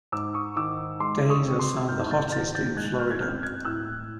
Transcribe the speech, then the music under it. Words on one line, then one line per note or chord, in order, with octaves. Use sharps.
Days are some of the hottest in Florida.
G#2 D6 E6
C#6 D#6
D#3 D6 E6
G#3 C6 D6
C#6 D#6
C4
C6 D6
G#2 F6 G6
G6 A6
D#3 G6 A6
G6 A6
G#3 F#6 G#6
F#6
F6 G6
G#6
C4 F6 G6
F#6 G#6
A2 E6 F#6